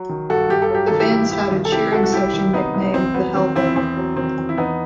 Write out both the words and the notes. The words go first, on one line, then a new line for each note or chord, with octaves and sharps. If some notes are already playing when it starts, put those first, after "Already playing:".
The fans had a cheering section nicknamed "The Hellhole".
Already playing: F#3
D#3
G2 F#4 A4
G2 G4
A4
F#3 G4
D#3 A4
E4 G4
G2
C2 E4 G4
D#3
A4
C3 E4 G4
C2 F#4 A4
F#4
C2 E4 G4
D#3
C3 B3 D#4
C2
E2 C4
F#3 B3
D#3 C4
E2 C4 E4
E2 C4
F#3
D#3 C4
E2
E4
E2 B3 D#4